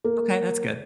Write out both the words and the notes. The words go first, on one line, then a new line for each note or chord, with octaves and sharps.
Okay, that's good.
A#3